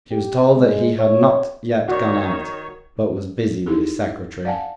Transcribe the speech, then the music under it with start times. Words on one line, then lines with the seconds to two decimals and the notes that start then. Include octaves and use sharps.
She was told that he had not yet gone out, but was busy with his secretary.
0.11 G4
0.56 G#3
0.99 C#5
1.88 D#3 F#4 C#5 D5
3.66 D#4 E4 G4 A4
4.45 D5 F5 F#5 G#5 A5